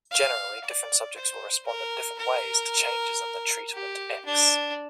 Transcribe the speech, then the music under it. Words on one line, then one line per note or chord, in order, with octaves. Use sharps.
Generally, different subjects will respond in different ways to changes in the "treatment" "x".
F5
D5
C5
A#4
A#4
G4
D4